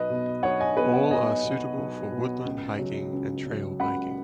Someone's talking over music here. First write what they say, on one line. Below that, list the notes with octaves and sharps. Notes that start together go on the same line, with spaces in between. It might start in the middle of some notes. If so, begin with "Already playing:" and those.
All are suitable for woodland hiking and trail biking.
Already playing: B1 B4 D#5
B2 B3
B1 C#5 F#5
D#5 G#5
B2 B3 B4 D#5
C#5 F#5
B1 D#5 G#5
B2 B3
B1
B2 B3
C#2
C#3 F#3
C#2
C#3 F#3
C#2 F#5 B5